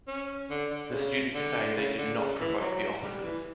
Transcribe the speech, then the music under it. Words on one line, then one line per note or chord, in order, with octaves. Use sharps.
The students say they did not provoke the officers.
C#4
D3
D3
C#3
D3
C#3
D3
C#3
E3
F#3
G3
E3